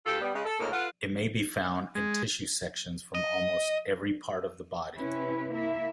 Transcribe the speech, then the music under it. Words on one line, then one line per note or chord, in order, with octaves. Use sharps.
It may be found in tissue sections from almost every part of the body.
D2 F4 G4 A4
G3 B3
C#3 G#3
A4
D2 A2 C#3 G#3 A#3 A#4
F4 A4 B4 F5 F#5
G#3
D#5
C3 C#4 E4 B4
A#3 E4 E5